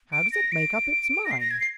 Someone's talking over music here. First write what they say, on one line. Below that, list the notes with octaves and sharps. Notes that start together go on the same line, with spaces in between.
"How does it make up its mind?"
D7
A#6
D7
A#6
C7
A#6
G#6
C7